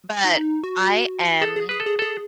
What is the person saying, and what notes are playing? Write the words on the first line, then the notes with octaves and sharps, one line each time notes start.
But I am
D#4
F#4
G#4 A4
G#4
G#4 B4
A4
G#4
G#4 A4